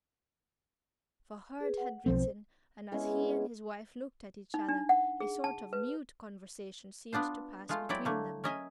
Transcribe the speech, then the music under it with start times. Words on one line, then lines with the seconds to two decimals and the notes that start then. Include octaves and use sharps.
For Hurd had risen, and as he and his wife looked at each other a sort of mute conversation seemed to pass between them.
1.60 G#4 B4
1.78 F#5
2.06 B1 F3 C4 C5
2.92 G#3 B3 C#4 E4
4.54 D#4
4.69 D4
4.89 F#5
5.20 G#4
5.44 A5
5.73 B4
7.13 B3 D4 F4 C5
7.69 G#3 A3 F4
7.89 F#3 C4 E4 D5 G5
8.05 D3 A3 A#3
8.44 C#4 A#4 D#5 E5 G#5